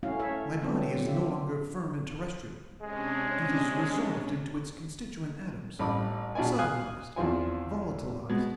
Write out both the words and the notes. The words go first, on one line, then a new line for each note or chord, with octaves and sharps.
My body is no longer firm and terrestrial; it is resolved into its constituent atoms, subtilised, volatilised.
A3 C#4 E4 F#4 F5
A4 C#5 E5
D3 F3 F#3 B3 C4 D4
F4 G4 E5
C3 G#3 C#4 D4
A1 G2 D#4 B5 D6
A#1 B2 D4 D5 D#5 G#5
F5 G#5 D#6 F#6
E2 E3 F3 C4 F4 G#5
B2 G#3 B3